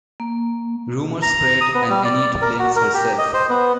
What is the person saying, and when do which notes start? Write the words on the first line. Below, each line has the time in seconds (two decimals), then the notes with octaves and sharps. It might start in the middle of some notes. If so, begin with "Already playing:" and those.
Rumors spread, and Enide blames herself.
0.20 A#3
1.22 A#5
1.61 D#6
1.74 B3
1.89 G3
2.05 D5
2.42 A#4
2.59 F#4
2.76 A#4
2.94 G4
3.18 D#5
3.34 C5
3.49 B3